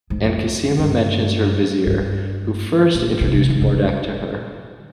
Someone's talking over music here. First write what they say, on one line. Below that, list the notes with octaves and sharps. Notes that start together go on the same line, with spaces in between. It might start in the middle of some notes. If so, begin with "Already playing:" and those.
And Cassima mentions her Vizier, who first introduced Mordack to her.
G#2
F2
G2
G2
A#2
C3
D#3
C#3